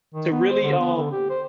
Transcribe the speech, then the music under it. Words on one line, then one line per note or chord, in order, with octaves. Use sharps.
to really, um,
D#3
B3
C5
D3
B3
D3
G4
C5